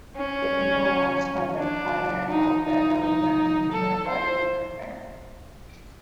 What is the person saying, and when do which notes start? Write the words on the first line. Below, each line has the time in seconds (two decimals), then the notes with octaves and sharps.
The inner walls have a higher albedo than the nearby lunar mare.
0.16 C#4
1.59 D4
2.30 D#4
2.65 D#4
3.01 D#4
3.72 A4
4.07 C5